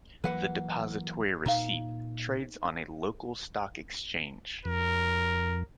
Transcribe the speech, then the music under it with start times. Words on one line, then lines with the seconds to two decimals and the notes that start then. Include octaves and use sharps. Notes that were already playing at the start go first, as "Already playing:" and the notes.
The depositary receipt trades on a local stock exchange.
0.24 E3 F#3 A#3 B4 F#5
1.46 A#2 D#4 F5
4.65 F2 A#4